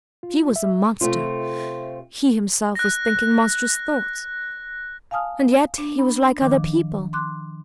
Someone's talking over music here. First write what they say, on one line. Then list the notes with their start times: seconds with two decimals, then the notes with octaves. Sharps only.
She was a monster--he himself was thinking monstrous thoughts . . . and yet he was like other people.
0.23 F4
0.56 E5
1.01 C3 A3 C4 F4
2.75 F#6 A#6
5.11 F5 G#5 A5 D#6 F6
5.78 D4
5.99 B5
6.41 D#3 F3 D6
7.13 C6 D6 F#6